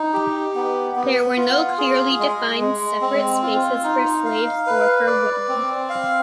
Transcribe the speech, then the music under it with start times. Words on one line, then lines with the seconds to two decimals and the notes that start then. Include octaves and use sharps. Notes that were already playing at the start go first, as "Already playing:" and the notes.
There were no clearly defined separate spaces for slaves or for women.
Already playing: D#4
0.14 G4
0.55 B3
0.96 B3
1.37 F4
1.78 G#4
2.19 G#3
2.60 G#3
3.01 C4
3.43 F4
3.84 D#4
4.25 F5
4.67 B4
5.07 D5
5.49 C4
5.89 F5